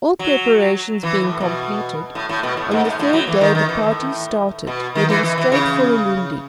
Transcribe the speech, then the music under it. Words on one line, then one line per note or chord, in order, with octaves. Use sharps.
All preparations being completed, on the third day the party started, heading straight for Ulundi.
F#3
E3
A2
B2
A2
A2
B2
A2
G#2
A2
A2
F#3
E3
D#3
D#3
E3
A2
B2
D#3
E3
E3
E3
C#3